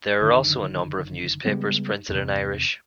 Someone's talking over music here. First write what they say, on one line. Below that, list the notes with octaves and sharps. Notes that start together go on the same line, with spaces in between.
There are also a number of newspapers printed in Irish.
F#1 D3 D#3
C#3 G3 G#3 B3
E2 C3